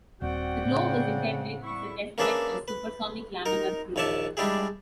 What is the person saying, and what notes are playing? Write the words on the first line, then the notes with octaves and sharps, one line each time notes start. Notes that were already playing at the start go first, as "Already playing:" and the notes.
The glove is intended as a testbed for supersonic laminar flow.
D#1 C4 F#4 D5 F#5 G5
A2 C#3
G3 E4 C#6
A#3 C#4 D4 G#4 B4 E5
B4
D#4 A#4
A#1 D#2 C#5 D5 E5 A5
G3 G#3 D4 E4 G4 G#4